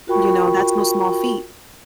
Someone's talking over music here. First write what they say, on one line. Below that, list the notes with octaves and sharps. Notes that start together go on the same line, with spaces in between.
you know, that's no small feat.
F4 F#4 A#4 G5 B5 C#6